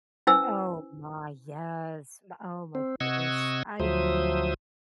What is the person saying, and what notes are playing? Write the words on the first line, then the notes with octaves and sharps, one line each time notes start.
Oh my, yes, m oh my goodness. I
C#4 E4 B4 C5 G#5 E6
C4
C3 D#5 F#5 C#6 E6 G#6
D2 F3 F#3 C5 E5 D#6